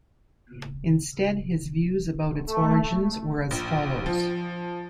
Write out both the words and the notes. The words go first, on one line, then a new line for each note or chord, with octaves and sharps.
Instead his views about its origins were as follows.
A3
A#1
F3